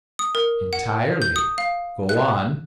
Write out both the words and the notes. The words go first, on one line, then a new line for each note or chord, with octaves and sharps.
"Entirely; go on."
D#6
A#4
F#5
G6
D#6
F5
F#6